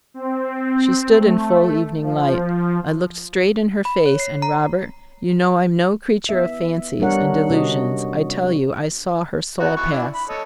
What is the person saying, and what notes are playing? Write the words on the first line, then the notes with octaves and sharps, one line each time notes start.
She stood in full evening light, I looked straight in her face, and Robert, you know I'm no creature of fancies and delusions, I tell you I SAW HER SOUL PASS.
C4
A3
F3
B5
C#5
C7
A#5
B3 E5
G3 B3 D4 A#4 C#5 F#5
C3 C#4 F#4 D#5
B3 D#4 F#4
E3 B3 C#6
E3 D4 E4
B5
A4 C#5 D#5